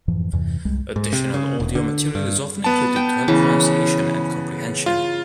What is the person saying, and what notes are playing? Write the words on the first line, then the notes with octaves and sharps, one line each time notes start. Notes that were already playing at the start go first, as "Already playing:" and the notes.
Additional audio material is often included to help pronunciation and comprehension.
F2 G#2 E3 F3
E2 G2 C3 E3
C2 G3 G#3
G#2
C3
C#3
E1
D3
G2
B3 A5
G5
C#3 E3
F4